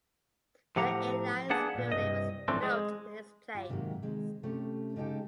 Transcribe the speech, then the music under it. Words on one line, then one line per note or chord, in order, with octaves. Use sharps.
The Airlines Building was built in its place.
A2 F3 G4 F#5 A#5
A#3 B3 D4 G#4 F#5 A5
F#2 A#2
C2 G2 D#5
A2 E3 F3 A3 C4 D4
G#3
F4 G4
G#2 C3 D#3 F3 F#3 A#3
C3 D#3 G#3
C3 A3 C#4 G4
C#3 G#3 D#4 F#4 G4 A4